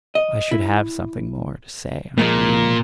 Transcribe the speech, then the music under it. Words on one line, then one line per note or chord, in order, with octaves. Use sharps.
I should have something more to say unto you!
D#5
E4
A#2 F3 G#3 A#3